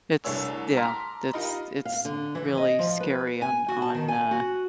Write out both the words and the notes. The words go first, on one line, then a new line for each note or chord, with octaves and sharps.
It's yeah. It's it's really scary, on on, uh
C2 A3 D4 G#4 C#5 E6
A5 A#5 C6 D6 F6 B6
D#4 F4 G4 A#4 D#5 B5
F5
D3
E3
D#5
F3
B4
G#5
F#4
A5
D#3
G#5
F#4